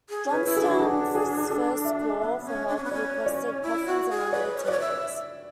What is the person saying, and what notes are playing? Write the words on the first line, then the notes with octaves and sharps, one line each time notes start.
Johnstown's first call for help requested coffins and undertakers.
G#4
C#4
B4
E4
G#4
D4
F#4
G#4
G#4
A4
E5
B3 E5
C#4
D4
C#4
B3
C#4 D5
D5
E4
F#4
G#4
B4 D5
C#5
B4
C#5 D5
E5